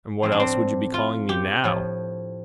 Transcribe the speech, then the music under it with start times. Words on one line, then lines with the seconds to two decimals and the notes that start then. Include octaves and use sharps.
"And what else would you be calling me now?"
0.23 A2 F3 C4
0.32 D4
0.40 C4
0.94 F4
1.29 G4
1.64 A2 F3